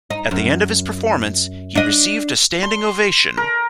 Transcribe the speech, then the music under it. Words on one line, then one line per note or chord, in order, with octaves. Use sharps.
At the end of his performance he received a standing ovation.
D#4
F#2
D4 D#5
C6
A#4